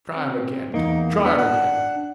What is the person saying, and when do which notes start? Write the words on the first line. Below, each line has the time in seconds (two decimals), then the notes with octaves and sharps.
'Try 'em again, Tom; try 'em again.'
0.15 C4
0.74 E2 A#3 D#4
1.25 B3 D4
1.38 F#5